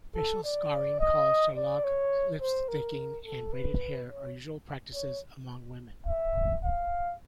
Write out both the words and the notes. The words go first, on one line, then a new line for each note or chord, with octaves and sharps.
Facial scarring called Shoulokh, lips sticking, and braided hair are usual practices among women.
A4
D5
D#5
D5
C#5
C5
A#4
A4
B4
C#5
C#5
E5
F5